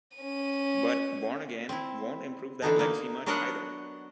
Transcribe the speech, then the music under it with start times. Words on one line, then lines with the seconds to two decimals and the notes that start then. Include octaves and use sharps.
But "Born Again" won't improve that legacy much, either.
0.17 C#4 D#7
1.69 C4 E4
2.62 D3 E3 D#4 A4
2.79 A#3 D#4
3.26 F#3 B3 D4 A#4 D#5 F#5